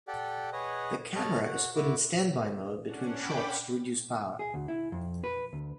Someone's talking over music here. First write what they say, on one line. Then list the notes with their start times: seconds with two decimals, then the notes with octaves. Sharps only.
The camera is put in standby mode between shots to reduce power.
0.08 G4 A4 D5 F#5 G5
0.53 G#4 B4 C#5 D#5 F#5 D#6
1.15 A4 C#5 D#5 A5 B5 F6
1.45 F#4 F#5
1.76 E4 F#4 D6
2.85 C#4 D4 F#5
3.16 G5 B5 D6
4.39 G#4
4.54 D2
4.68 E4
4.92 F2
5.24 B4
5.53 D2